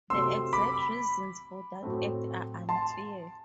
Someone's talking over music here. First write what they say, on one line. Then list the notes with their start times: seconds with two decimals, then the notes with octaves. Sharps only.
The exact reasons for that act are unclear.
0.10 C3 F#3 A3 C4 C6 E6
0.53 B5 D6
1.83 A2 F#3 A3 C4
2.69 A5 C6